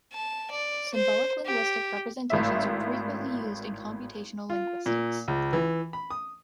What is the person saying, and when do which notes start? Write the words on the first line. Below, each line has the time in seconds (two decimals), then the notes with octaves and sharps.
Symbolic linguistic representations are frequently used in computational linguistics.
0.13 A5
0.51 D5
0.94 C5
1.46 G4
2.30 G#1 A2 E5
4.50 F4
4.86 A#2
5.28 C#2
5.53 E3
5.93 B5
6.10 D#6